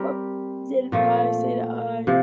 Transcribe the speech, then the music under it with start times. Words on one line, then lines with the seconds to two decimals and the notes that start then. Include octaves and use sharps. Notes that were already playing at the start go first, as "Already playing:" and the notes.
What did pi say to i?
Already playing: G3 C4 G4 A#4
0.92 A#2 F3 A3
2.07 C3 F3